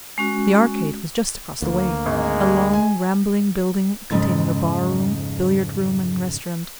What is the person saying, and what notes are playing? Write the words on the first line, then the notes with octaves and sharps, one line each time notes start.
The Arcade was just across the way--a long, rambling building containing a barroom, billiard room, and restaurant.
G#3 C#4 F#4
D2 A#3
G#1 G#3
G#5
F2 G#2 C#3